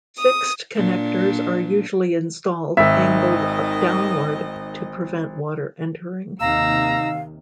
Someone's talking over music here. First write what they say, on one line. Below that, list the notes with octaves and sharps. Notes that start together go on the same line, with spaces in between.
Fixed connectors are usually installed angled downward to prevent water entering.
D#6
A#2 D4
G#1 D#3 D#5 E5
D#2 C3 D#3 D#4 F5 A#5 E6